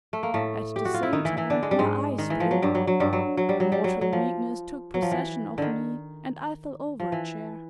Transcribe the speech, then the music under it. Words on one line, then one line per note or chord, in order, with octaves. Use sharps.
At the same time my eyes failed me, a mortal weakness took possession of me and I fell over a chair.
A3
A#3
A2 A3
G4
F#4
F4
E4
D#3 D#4
E3 E4
E3 E4
D3 D4
G#3
G3
G#2 G#3
D#3
E3
F3
F#3
G2 G3
F#3
F#3
G2 G3
F#3
F#3
G3
F#3
G3
F#3
F#3
F3
F#3
F3
E3
D3 D#3
F3
E3